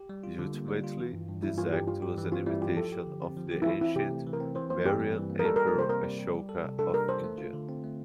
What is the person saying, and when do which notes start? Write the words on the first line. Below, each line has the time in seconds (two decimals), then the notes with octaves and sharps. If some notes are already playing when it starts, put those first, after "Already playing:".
Ultimately, this act was an imitation of the ancient Mauryan Emperor Ashoka of India.
Already playing: G4
0.09 G3
0.24 F4
0.39 D3
0.54 A#3
0.68 G3
0.84 F4
0.99 E3
1.13 G2
1.28 G2
1.42 G3 E4
1.57 E3 F4
1.73 G2 G4
1.88 G3 F4
2.02 G4
2.18 E3
2.32 C4 F4
2.47 G3 E4
2.62 F4 G4
2.77 F3 A4
2.92 G4
3.07 D3
3.22 C4
3.37 F3
3.51 G4
3.62 E4
3.66 E3 F4
3.81 C4 E4
3.96 C3 G4
4.11 A3
4.26 E3
4.33 A#4
4.40 C4
4.55 E3 C5
4.70 A#3 C5
4.85 G2 G4
5.00 G3
5.15 E3
5.30 A#3
5.39 A#4
5.45 G3 A4
5.56 A#4
5.60 G4
5.67 A#4
5.75 C3 C5
5.89 C4 A#4
6.04 G3
6.19 G4
6.34 G3
6.49 A4
6.64 C3
6.79 D4 A4
6.94 G3 A#4
7.08 A4 C5
7.24 A3
7.38 F4
7.53 D3
7.68 C4
7.84 A3